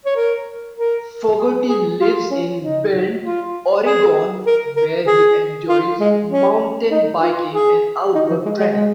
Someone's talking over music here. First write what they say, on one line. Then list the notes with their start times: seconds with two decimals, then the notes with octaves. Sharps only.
Fogarty lives in Bend, Oregon, where he enjoys mountain biking and outdoor training.
0.06 C#5
0.16 A#4
0.77 A#4
1.39 G#4
1.69 G#4
2.01 F4
2.31 C#4
2.62 D#4
3.23 F4
3.85 G#4
4.47 A#4
4.76 A#4
5.07 G#4
5.69 F4
6.00 G#3
6.30 C#4
6.91 D#4
7.22 F4
7.53 G#4
8.15 D#4
8.31 F3
8.46 G#3
8.60 G#3
8.76 G#3